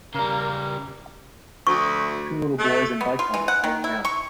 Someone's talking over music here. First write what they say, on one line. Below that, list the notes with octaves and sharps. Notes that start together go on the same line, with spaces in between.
Two little boys in bike helmets hanging out.
C#3 G3 A#3 A#4
D2 C#6
A3
B3
F4
E3
F#5
D#3
E4
C#6